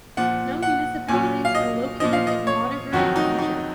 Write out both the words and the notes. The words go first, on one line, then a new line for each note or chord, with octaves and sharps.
No municipalities are located in Waterbury Township.
A#2 F3 F#5
F#5
A#2 F#3 G#5
F5
D#5
A#2 F3 D#5
F5
D#5
C#5
F2 D#3 F#3 F#4
D#4
D#4